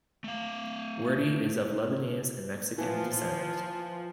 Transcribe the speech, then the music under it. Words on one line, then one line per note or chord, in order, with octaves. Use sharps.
Wardy is of Lebanese and Mexican descent.
A3 F5
E3 F3 B3 A5